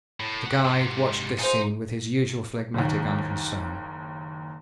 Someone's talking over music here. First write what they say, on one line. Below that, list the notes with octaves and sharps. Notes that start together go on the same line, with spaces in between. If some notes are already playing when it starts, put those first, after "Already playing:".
The guide watched this scene with his usual phlegmatic unconcern.
A2
G4 F#5
G#2 C3
G#3 D#4 F4 C5
F#1 D#2